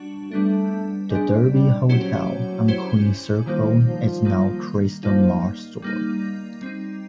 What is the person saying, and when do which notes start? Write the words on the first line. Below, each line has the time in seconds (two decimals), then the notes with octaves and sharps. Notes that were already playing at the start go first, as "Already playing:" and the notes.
The Derby Hotel on Queen's Circle is now a Crystal Mart store.
Already playing: G3 D4 F#4
0.31 G3 A3 B3 D4
1.10 G3 G#3 B3 D4
1.50 G3
1.89 F#3 C#4 E4 G4 C5
2.68 C#4 E4 G4 C5
3.46 D#3 F3 G3 A#3 D#4
3.85 F3
4.25 D#3 G3 A#3 D#4
5.03 F3 G3 A#3 D#4
5.82 G3 A#3 D#4
6.61 G3 C4 D#4